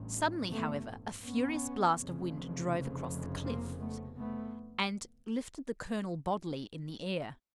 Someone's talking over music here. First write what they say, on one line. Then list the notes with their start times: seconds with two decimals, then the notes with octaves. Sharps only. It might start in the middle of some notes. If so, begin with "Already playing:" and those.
Suddenly, however, a furious blast of wind drove across the cliff, and lifted the Colonel bodily in the air.
Already playing: A1 G2
0.51 A3 B3
1.24 B3 C#4
1.97 F1 F2 C#3
3.44 A#3 C4
3.80 A3 B3
4.17 A3 B3